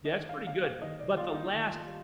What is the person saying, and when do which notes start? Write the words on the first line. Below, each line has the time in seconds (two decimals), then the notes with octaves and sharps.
Yeah, it's pretty good, but the last
0.05 D#5
0.11 D#3 D5
0.29 F5
0.47 G3 A#3 F5
0.64 F5
0.82 D#3 D#5
0.99 D5
1.17 G3 F4
1.20 A#3
1.35 D#4
1.52 D#3
1.87 G3